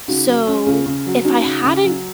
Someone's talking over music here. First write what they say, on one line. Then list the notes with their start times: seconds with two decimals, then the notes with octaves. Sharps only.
So if I hadn't
0.08 C#3 D#4 F#4
0.27 F#3
0.47 C#4
0.66 C#3 F4 G#4
0.86 C#3
1.06 F#3
1.25 C#4 D#4 F#4
1.45 C#3
1.64 C#3
1.84 F#3